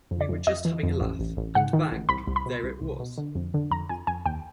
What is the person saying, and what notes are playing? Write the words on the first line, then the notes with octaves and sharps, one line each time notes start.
We were just having a laugh, and bang, there it was.
F2
D5
F2
F2 D#5
E3
F2
A1
A1
A1
G#2 F#5
D#3
A1
C2 B5
C2
B5
B2
C2
C2
B2
D3
F2
D3
F2 A#5
F2 G#5
F2 G#5
D#2 G5